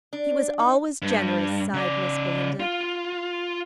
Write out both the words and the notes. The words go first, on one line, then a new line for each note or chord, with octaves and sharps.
"He was always generous," sighed Miss Belinda.
D4
D#4
G2
C#3 D5
F4